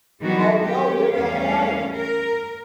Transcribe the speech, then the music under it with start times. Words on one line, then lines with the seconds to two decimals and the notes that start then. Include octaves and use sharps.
Oh, no, you're that one!
0.22 D#3 E3 F#3 G3 B3 F#4
0.59 C#4 G4
1.13 E2 G3 A3 C#4 F5
1.94 A#4